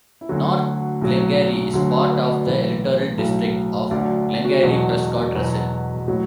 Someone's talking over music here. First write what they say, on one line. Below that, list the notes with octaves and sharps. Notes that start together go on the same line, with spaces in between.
North Glengarry is part of the electoral district of Glengarry-Prescott-Russell.
E4
D2 D3 F#3 F#4
B1 A2 F#3
D2 D3 F#3
B4
D5
B1 A2 E3 B4
B1 A2 F#3
D2 D3 F#3 D5
F#4
E1 E2 B2 F#3 F#4
E2 B2 F#3 B4
A2 F#3